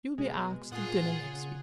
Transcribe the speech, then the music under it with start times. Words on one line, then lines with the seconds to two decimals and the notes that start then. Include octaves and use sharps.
You'll be asked to dinner next week.
0.18 B2 G#3
0.72 A#2 F4 G#4 F#5 D#6
1.24 C#3